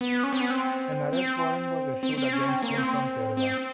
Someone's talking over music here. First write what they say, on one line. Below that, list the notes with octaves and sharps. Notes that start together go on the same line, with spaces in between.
An arrest warrant was issued against him from Kerala.
B3
C#4
C4
B3
C4
C4
C4
C4
C#4
C4
A#3
C4
C4